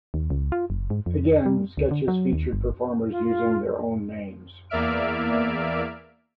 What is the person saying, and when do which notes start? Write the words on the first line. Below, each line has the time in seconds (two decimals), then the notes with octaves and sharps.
Again, sketches featured performers using their own names.
0.14 D#2
0.30 C#2
0.52 F4
0.70 F#1
0.90 G#2
1.06 F2
1.46 G3
1.77 D2
1.91 D3
2.08 F#3
2.33 D#2
2.53 G1
3.10 F4
4.70 E2 A#3 D5 E5 F6 D7